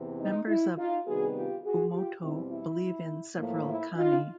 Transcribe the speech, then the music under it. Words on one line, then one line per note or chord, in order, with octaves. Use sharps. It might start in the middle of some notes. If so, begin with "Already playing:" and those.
Members of Oomoto believe in several kami.
Already playing: E2 C3 E3
D#4
E4
D#4 F4
C3 D#3 G3 B3 F#4 G#4
F4 G4
F#4 G#4
F4 G4
E2 B2 G3 C4 E4
E4
A2 F3 A#3
E4
D#4 F4